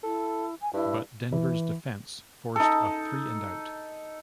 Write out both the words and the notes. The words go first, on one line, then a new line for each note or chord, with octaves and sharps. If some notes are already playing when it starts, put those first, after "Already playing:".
But Denver's defense forced a three-and-out.
E4 A4
G#5
G2 E4
E3
D#4 A4